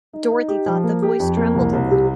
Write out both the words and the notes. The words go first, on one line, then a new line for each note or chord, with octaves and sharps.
Dorothy thought the Voice trembled a little.
D#4
D#4
G4
F3
A#3
G4
F2
A#3
C2
C2
C3